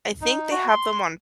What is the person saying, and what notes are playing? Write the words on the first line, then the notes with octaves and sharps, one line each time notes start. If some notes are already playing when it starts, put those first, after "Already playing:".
I think they have them on
D#4
F#4
C6